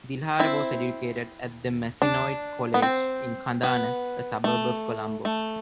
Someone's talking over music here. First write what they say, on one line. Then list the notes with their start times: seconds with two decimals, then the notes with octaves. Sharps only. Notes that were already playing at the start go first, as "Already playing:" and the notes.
Dilhara was educated at De Mazenod College in Kandana, a suburb of Colombo.
0.39 C4 E4
2.02 D4
2.74 B3
2.82 C4
3.63 B3
4.44 A3
5.25 A3